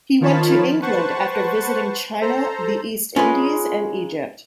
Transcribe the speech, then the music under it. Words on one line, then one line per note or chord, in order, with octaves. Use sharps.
He went to England after visiting China, the East Indies and Egypt.
D#3 F3 F4 C#5 A5 B5
B4 C5 F#5 A5 C#6
A4 C5 A#5
G#3 C#4 D#4 F4 B4